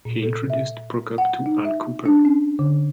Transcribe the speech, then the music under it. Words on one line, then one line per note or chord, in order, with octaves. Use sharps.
He introduced Prokop to Al Kooper.
A#2
A4
E5
F#5
D#4
E5
D4
C#4
D3